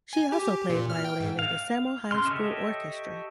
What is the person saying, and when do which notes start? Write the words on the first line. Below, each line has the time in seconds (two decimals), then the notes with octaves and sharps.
She also played violin in the Samohi school orchestra.
0.13 G#5
0.32 G4
0.70 A#2
0.90 F6
1.04 G5
1.20 G#2
1.39 F5
2.11 C#3 C6 F6
2.26 G4 A4 C#5 D#5 E5